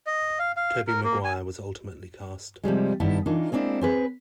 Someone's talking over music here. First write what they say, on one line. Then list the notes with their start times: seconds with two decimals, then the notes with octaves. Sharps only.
Tobey Maguire was ultimately cast.
0.07 D#5
0.39 F5
0.57 F5
0.87 A#4
1.04 A#3
1.24 G#5
2.64 C3 F3 G3 G#3
3.00 G2 D#3 B3 E4 A5
3.26 E3 D4 D#4 F4 A#4
3.52 G#3 A#3 C4 D4 E4
3.81 C4 G#4 B4